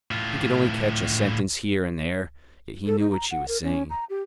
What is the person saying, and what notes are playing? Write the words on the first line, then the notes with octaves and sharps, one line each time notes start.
He could only catch a sentence here and there, yet he knew what she was saying....
A2 F4
A4
D#4
A#5
F#5
A#4
C#4
A#5
G4